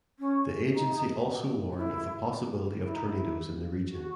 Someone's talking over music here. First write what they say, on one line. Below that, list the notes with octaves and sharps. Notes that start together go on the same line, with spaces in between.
The agency also warned of the possibility of tornadoes in the region.
C#4
D#4
D#4
E4
E4
D#4
E4
F#4